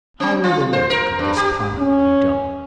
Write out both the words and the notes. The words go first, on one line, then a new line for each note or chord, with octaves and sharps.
How will the work of this planet be done?
C4
F4
C5
A#4
G2
G4
C#4